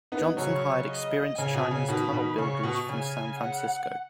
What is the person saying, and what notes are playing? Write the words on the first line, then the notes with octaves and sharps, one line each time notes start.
Johnson hired experienced Chinese tunnel builders from San Francisco.
B3 D#4
C#3 F#3 C#5
D#5
C#3 G#5
B2
C#3
B2 D#3 B5
B2 D#3
C#3 C#6
B2
C#3 G#5
F#5